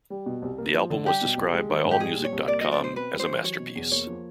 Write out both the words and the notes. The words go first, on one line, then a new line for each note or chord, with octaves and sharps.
The album was described by allmusic dot com as a masterpiece.
G3
B2
C2
A#3
F3
D3
G3 G4
B2
C2
G#3
D#3
G#2
G4
G3 G#4
A#2
C#5
C2
A#3 D5
F#3 D#5
D5
B2 C5
C4 B4
G3
C5
E3
F#3 C#5
B2
E2
A#3 C#5
F3